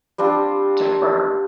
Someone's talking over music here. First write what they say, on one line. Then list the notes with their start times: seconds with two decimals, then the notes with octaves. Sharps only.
to for her.
0.18 G3 C4 D4 F4